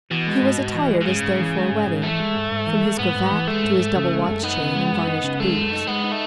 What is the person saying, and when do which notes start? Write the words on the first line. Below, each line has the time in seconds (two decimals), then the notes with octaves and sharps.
He was attired as though for a wedding, from his cravat to his double watch-chain and varnished boots.
0.11 B2 E3
0.27 G#3
0.42 G#2
0.59 G#2
0.75 E3
0.91 G#3
1.01 B2
1.07 G#2 C#3
1.22 G#2
1.39 E3
1.55 G#3
1.71 G#2
1.87 G#2
2.03 E3 A3
2.19 G#3
2.35 G#2
2.51 G#2
2.67 E3
2.83 G#3
2.99 G#2 B3
3.15 G#2
3.31 E3
3.47 G#3 A3
3.63 G#2
3.79 G#2
3.96 C#3
4.11 G#3
4.27 F#2
4.43 B3 D#4
4.60 C#3
4.75 G#3
4.91 F#2
5.07 D#4
5.23 C#3
5.40 G#3 A3
5.56 F#2
5.72 D#4
5.87 G#3 B3
6.04 D#4
6.12 A3